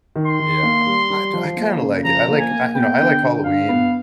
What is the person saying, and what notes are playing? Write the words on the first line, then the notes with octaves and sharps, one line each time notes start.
Yeah, I do I kind of like it, I like I you know, I like Halloween.
D#3
C6
D#3
A#3
G3
G3
F3
A#3
C#3
F3 A#5
A#3
G#5
A#3
B3 G5
D3
D3
G2 F5
B3